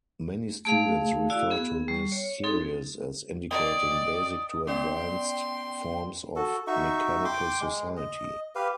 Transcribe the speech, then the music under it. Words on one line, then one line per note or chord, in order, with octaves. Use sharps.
Many students refer to this series as indicating basic-to-advanced forms of mechanical society.
A3 G#4 F5
E4 F#4 D5 F5
B3 G#4
G3
C#5
C4 D#4 G#4 A4
D5 D#5 G5 D#6 G7
B3 C#4 D5 G5 C6
F#4 A4
D#4 F#4 E5 C#6
G5 C6 D6
G#3
D#5
G4 B4 F5